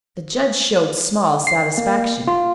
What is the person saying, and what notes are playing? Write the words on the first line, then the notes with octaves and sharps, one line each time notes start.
The judge showed small satisfaction.
C7
A#3
F4